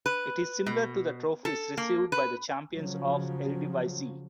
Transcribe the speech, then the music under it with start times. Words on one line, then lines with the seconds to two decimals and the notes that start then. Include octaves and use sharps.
It is similar to the trophies received by the champions of the Eredivisie.
0.06 B4
0.66 B2
1.45 A4
1.78 A#3
2.12 B4
2.74 C#3 F3 F#3